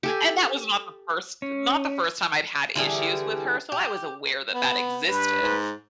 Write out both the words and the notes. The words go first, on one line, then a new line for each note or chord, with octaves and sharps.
And that was not the first not the first time I've had issues with her, so I was aware that that existed,
G4 A4 G#5
C#4
D3 E3 G3 G#4
G4
B3
G2 B4
G#2